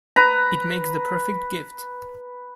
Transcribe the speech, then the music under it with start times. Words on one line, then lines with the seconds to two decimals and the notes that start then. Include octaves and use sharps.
It makes the perfect gift.
0.16 B4 A#5